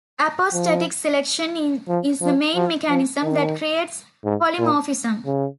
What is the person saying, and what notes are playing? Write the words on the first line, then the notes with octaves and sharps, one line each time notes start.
Apostatic selection is the main mechanism that creates polymorphism.
F3
F3
F3
F3
F3
D#3
G#2
A#2
C#3